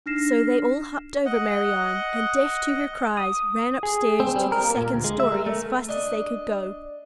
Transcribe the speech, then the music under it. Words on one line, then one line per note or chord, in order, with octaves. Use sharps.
So they all hopped over Marianne, and, deaf to her cries, ran upstairs to the second story as fast as they could go.
D4 D#4 F6 A#6 C7 E7
D#5 F#5
D#6
G#4
C4
G3
A#4
A#3
A#2
D2
G#3
E5
A#4
A3
D4 D#5